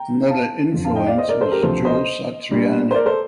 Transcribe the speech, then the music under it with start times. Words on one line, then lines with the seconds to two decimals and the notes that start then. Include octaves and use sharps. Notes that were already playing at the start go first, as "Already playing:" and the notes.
Another influence was Joe Satriani.
Already playing: G5 A#5
0.29 F5 A5
0.74 F2 D3 F3
0.85 F5 A5
0.96 D#5 G5
1.07 D5 F5
1.18 C5 D#5
1.29 A#4 D5
1.41 A4 C5
1.51 G4 A#4
1.62 D2 C3 F3 A3 A4 C5
1.85 C5 D#5
2.51 A#2 G3 D4
2.91 C5
2.94 A#4 D5
3.05 A4 C5